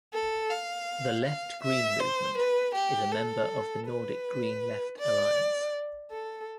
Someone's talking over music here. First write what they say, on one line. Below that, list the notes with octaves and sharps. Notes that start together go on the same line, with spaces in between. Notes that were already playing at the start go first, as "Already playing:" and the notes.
The Left-Green Movement is a member of the Nordic Green Left Alliance.
A4
F5
F5
E5
C5
B4
G4
A4
B4
D5
A4